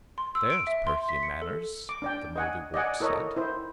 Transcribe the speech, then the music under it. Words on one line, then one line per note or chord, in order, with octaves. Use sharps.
"There's purty manners," the Mouldiwarp said.
C6
E6
D7
E5
C6
B6
C#7
A4
D6
D4 D5 G5
D#5 F#5 G#5
D5 D#5 F#5 G#5
E4 A4 A#4 C#5 D#5 A#5
E4 C5